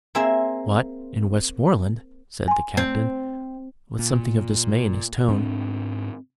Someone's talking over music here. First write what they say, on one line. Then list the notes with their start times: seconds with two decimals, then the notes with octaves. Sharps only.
"What, in Westmoreland!" said the Captain, with something of dismay in his tone.
0.15 A#3 C4 G#4 E5
2.48 G#5 C6
2.77 C4
3.99 A#2
5.29 G#2 C4 D4